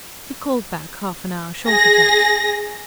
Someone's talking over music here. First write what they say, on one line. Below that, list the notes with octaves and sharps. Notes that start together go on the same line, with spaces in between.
He called back half an hour short of that.
G#4 A#6